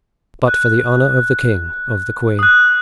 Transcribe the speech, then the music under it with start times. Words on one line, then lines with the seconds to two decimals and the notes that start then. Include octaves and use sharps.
"But for the honor of the king--of the queen."
0.48 F#6
2.39 D#6 F#6